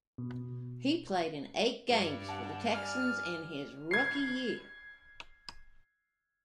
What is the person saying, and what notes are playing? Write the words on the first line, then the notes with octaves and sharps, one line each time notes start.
He played in eight games for the Texans in his rookie year.
B2
G2
F#5 A5
D5 G#5 F6
G#6 C7